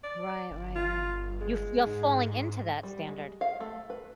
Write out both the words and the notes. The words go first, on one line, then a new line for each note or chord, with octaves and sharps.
Right, right, right. You're you're falling into that standard.
D5
G1
F4
G#3
G#2
G3
G#3
F5
A3
B4